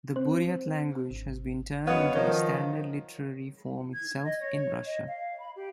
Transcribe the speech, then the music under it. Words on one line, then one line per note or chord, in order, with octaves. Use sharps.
The Buryat language has been turned into a standard literary form itself in Russia.
C4 C5
G#1
F#2 B3 C#5 D#5 F5
D#3 F3 C#5
G#6
D#5
C#5
D#5
F5
B5
G4